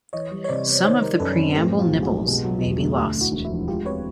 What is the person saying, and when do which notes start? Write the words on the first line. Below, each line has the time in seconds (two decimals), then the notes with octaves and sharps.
Some of the preamble nibbles may be lost.
0.13 E3 C#5 D#5
0.31 G3
0.44 C#5
0.49 C3 C5 D5
0.66 B3
0.84 D#3 C5 D5
1.02 G3 A#4 C5
1.20 F#2 A4 B4
1.38 C4
1.50 A#4
1.55 A2 G4 A4
1.73 F3
1.79 F4 G4
1.90 B1
2.02 F#4 G#4
2.09 G#3
2.26 B2
2.44 F#3
2.61 E2
2.80 A3
2.97 D2 F4 G4
3.15 D3
3.21 E4 F#4
3.32 E1
3.45 E4 F#4
3.50 F3
3.68 G#3 F4 G4
3.85 C4 B4 C#5